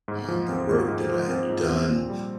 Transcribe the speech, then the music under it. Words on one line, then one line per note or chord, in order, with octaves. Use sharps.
uh, the work that I had done.
G#2
F3
C4
G#2
G#2
F3
C4
G#2
C4
A#2
G3